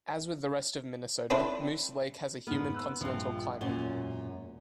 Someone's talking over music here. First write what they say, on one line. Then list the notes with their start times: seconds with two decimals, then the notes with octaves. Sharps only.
As with the rest of Minnesota, Moose Lake has a humid continental climate.
1.30 C4 D4 E4 A4 B4 C5
2.47 G#2 D#3 B3 F#5 F6
2.74 C6 E6 F#6
3.01 A#1 G2 F3 C4
3.61 E1 F#2 A#2 C#4 G7